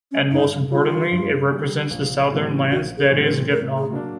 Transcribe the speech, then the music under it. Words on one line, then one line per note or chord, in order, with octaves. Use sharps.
And most importantly, it represents the southern lands, that is Vietnam.
C#4
G2 D#4
D3 G3 F4
G2
D3 G3
A#1
A2 E3 G3 C4
A#1 F#4
G#4
A2 E3 G3 C4
A#4
A2 A#4
G#4
F#3 A#3 D4